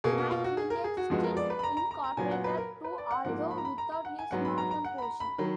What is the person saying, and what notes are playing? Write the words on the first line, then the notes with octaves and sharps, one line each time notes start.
Nyack village still incorporated, too, although without this northern portion.
B2 A#3 G#4
F#4
F4
F#4
G#4
A#4
G#4
F#4
F2 F3 G#3 B3 F#4
A#4
D5
B4
B5
A#5
A#5
A#5
A#5
A#2 F#3 B3 G#5
F#5
B4
A#4
B4
D5
F#5
G#2 F3 A#3 F#5
B5
A#5
B5
A#5
A#5
F#5
G#5
G#2 F#3 B3 F#5
B5
A#5
A#5
F#5
B5
A#5
B5
D#3 F#3 B5